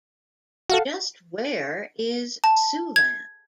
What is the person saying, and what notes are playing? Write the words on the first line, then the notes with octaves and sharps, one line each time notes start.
Just where is Siouxland?
F#4 A4 F5 F#5
A5
G#6